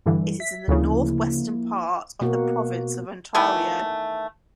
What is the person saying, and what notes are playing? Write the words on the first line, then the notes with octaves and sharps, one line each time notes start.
It is in the northwestern part of the province of Ontario.
G2 D3 E3
E5 B6
D2 C#3 F3 A#3 E4
B2 A#3 F#4
D#3 E3 A3 B3